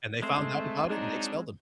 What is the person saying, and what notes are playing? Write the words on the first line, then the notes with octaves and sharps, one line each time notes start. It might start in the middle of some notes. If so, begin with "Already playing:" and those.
And they found out about it, and they expelled him.
G#3 A3 C4 C5
F#3 D4 D#4